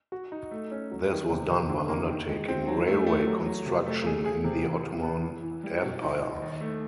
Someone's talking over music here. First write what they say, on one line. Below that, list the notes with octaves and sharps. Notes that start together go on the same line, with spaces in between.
This was done by undertaking railway construction in the Ottoman Empire.
F#4
D#4
A3
C#4
F#3
D#3
C3
C3
D3
A#3
D#3
G#3
C4
F#3
A3
A3
F#3
F#3
C3
A3
G#4
G#4
C3
E2
E2
B3
E3
E3
G3
B2
D#4
D#4
D#2
A3